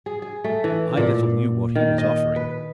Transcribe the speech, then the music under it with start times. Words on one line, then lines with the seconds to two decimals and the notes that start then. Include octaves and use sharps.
I little knew what he was offering.
0.06 G#4
0.22 G#4
0.44 A3
0.64 E3
0.97 A#2
1.75 D#3
1.98 D#5
2.36 B4